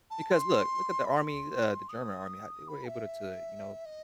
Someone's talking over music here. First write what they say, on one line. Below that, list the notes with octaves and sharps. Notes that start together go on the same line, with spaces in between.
Because look, look at the army, uh, the German army a they were able to, you know,
A5
C6
B5
C6
D#6
B5
E5
D#5